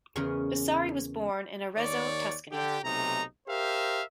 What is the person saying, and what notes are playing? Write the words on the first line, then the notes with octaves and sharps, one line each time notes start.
Vasari was born in Arezzo, Tuscany.
E2 C#3 C#4 G#4 A#4 A#5
D#2 D#3 C#5 D5
D3 G4
B1 C3 A3 D#4 A#5
G4 A#4 C5 E5 F5